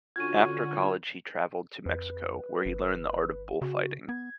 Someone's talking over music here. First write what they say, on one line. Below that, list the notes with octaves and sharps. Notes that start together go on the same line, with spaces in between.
After college he traveled to Mexico, where he learned the art of bullfighting.
D3 C#4 F4 F#4 C#6 G#6 D#7
F2 B4
G1
C#3 F#4
B3 G#6